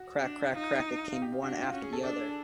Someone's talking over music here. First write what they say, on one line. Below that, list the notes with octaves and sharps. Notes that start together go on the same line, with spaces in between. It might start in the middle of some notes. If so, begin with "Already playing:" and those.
Crack, crack, crack, they came one after the other.
Already playing: F#4
D4
D#4 F4
F4
G4
F4
D4 F#4
F#4
F4
C#4 F#4
G#4
A4
D4 D5